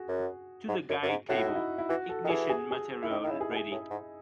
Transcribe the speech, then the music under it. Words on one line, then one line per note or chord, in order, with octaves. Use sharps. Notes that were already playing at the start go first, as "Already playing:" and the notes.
To the guide cable. Ignition material ready.
Already playing: F#4 G#4
F#2
G#2
F#2
F#2
G#2
A2 F#4
E4
D#4
E4
E4
E3 F#4
A4
D#3
E3 G#4
G#4
G#4
E4
D#3 D#4
D#3
E4
C#3
G#4
B2
G#4
A2 G#4
G#2